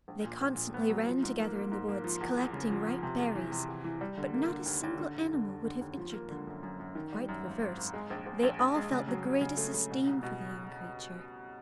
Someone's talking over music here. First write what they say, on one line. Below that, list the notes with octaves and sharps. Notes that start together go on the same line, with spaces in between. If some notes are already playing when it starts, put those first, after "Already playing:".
They constantly ran together in the woods, collecting ripe berries; but not a single animal would have injured them; quite the reverse, they all felt the greatest esteem for the young creatures.
A#1
A#2
A#1
A#2
B3
F#3
F3
G#2
A#3
A#3
G#2
A#3
F3
E2
E2
C#3
F3
F3
C3
E2
E3
C3
E2
E3
G3
D3
A#3
D3
D#2
D#2
D3
F1
D3
F1
D3
D#2
F3
A#3
D3
F#2
F#2
F#2
D#3
G3
F#2
G#1
G#1
G#1
G#3
A#1
A#1
A#1
A#1
G#3
C#3
F#3
F#3
C#3
A3
C#3
B2
C2
B2